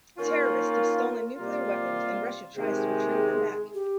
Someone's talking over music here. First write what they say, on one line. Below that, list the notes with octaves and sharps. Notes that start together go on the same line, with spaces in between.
Terrorists have stolen nuclear weapons and Russia tries to retrieve them back.
D#3 A#3 C#4 F4 A#4
C3 G3 A#3 F4
C3 D#3 G#3 G#4
G4